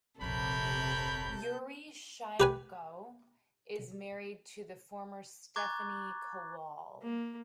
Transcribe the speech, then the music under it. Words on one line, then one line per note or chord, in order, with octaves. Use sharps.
Yuri Shymko is married to the former Stephanie Kowal.
F1 A#1 C3 A4 A#4 C#5 B5 G6
G4 B4 G#5
A#5 C#6 D6 F#6 G#6 A6
A#3